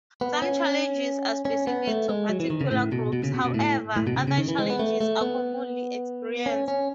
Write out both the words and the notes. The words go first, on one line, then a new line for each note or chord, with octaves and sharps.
Some challenges are specific to particular groups; however, other challenges are commonly experienced.
B3
C#4
C#4
B3
A3
G#3
F#3
E3
D#3
C#3
A2
B2
B2
C#3
B2
B2
A2
A2
B2
C#3
C#3
D#3
E3
G#3
B3
A3
A3
B3
C#4
C#4